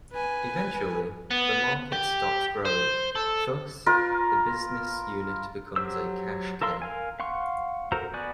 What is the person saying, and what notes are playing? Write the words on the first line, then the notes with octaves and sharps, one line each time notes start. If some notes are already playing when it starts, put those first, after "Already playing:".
Eventually, the market stops growing; thus, the business unit becomes a "cash cow".
B4 G#5
B3
G4
C5
A4
F4 A#4 B4
F#3 G4 C5 E6
A4 A#4 F5 C6 E6
A#4 F5 G#5
F5 F#5 C6 C#6
F#4 A4 A#4 C5 A#5
B3 F#4 D5 G#5 F#6